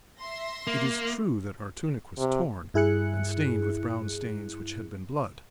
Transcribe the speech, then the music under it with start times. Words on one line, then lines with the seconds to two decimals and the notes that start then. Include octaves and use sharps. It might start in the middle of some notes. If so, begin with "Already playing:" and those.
It is true that our tunic was torn and stained with brown stains which had been blood.
0.18 E5 C6 A#6
0.67 A#3
2.18 C3
2.74 G2 E4 G#4 F#6 C#7